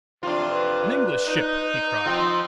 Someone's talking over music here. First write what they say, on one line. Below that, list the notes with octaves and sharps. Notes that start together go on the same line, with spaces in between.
"An English ship!" he cried.
F2 C3 D4 F4
B4
D#4
F3 C4 F4